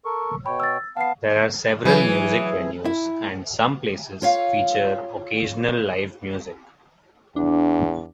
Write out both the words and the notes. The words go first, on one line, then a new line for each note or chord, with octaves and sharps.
There are several music venues and some places feature occasional live music.
A4 A#4 C#6
B2 C#5 G5 B5
E6 A6
B3 F5 F#5 A5 C7
E3 F#3 G#4 B4
E4
F4 C#5 F5
E2 D4